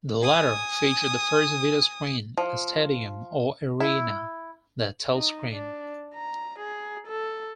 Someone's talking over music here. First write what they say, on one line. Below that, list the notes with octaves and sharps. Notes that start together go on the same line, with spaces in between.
The latter featured the first videoscreen in a stadium or arena, the Telscreen.
G#5 D#6
F3
E4
D#4
D4
A#5
G#4
A4